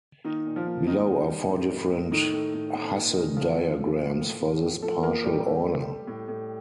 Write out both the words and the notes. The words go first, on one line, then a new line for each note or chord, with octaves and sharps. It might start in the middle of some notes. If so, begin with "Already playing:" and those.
Below are four different Hasse diagrams for this partial order.
D#3 A#3 D#4
A#2
F3 F4
A#3
D#3 A#3 D#4
G3
G3
A2
A2
A3
A2 D#3 D#4
A3
A2
A3
A#2
A#2
F3 A3 F4
A3
A3
A#3
A2
A2
F3
F3 A3 A4
F3 A#3 A#4
A2 G3 G4
A3
A3
A3
A2
A2